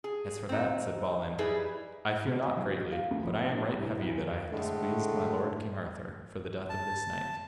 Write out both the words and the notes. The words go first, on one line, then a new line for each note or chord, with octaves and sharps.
As for that, said Balin, I fear not greatly, but I am right heavy that I have displeased my lord King Arthur, for the death of this knight.
G#4
C4 D#4
G3 D#4 E4 G#4 B4
B2
D#5
F#3
F5
D2
F3
D4
C2
B1
A#4
A2 D3 G#3 A3
A5